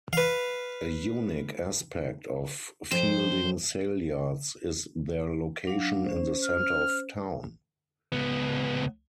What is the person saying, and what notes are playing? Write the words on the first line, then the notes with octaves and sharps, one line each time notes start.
A unique aspect of Feilding Saleyards is their location in the centre of town.
B4 F5
F2 C5
F#3 D4 F5
C#4 C5
F6
C#2 B3